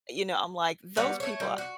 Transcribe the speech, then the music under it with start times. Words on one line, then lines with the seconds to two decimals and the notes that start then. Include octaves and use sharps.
you know, I'm like "Those people
0.97 G3 B3 F#4 B4
1.20 A3 C#5
1.40 G3
1.58 F#4